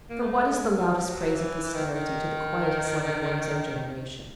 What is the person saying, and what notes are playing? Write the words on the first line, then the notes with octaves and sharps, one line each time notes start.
For what is the loudest praise of posterity to the quietest love of one's own generation?
A#3
A3
G#3
G3
F3
F#3
E3
E3
D#3
D#3